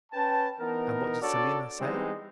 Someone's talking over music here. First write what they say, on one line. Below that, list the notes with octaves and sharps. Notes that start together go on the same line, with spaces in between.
And what did Selina say?
C#4 B4 G5 A5
E3 B3 D#4 A#4
D4 F#4 A4 C#5 D5
E3 G3 G#3 B3 C4 D#4